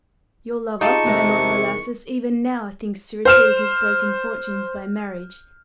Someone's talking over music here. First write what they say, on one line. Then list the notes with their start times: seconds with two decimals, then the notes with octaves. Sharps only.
Your lover, my Lord Bellasis, even now, thinks to retrieve his broken fortunes by marriage.
0.81 D#4 F4 G4 G#4 A5 C#6
1.05 E2 C3 D#3 G#3
3.25 C5 F6 E7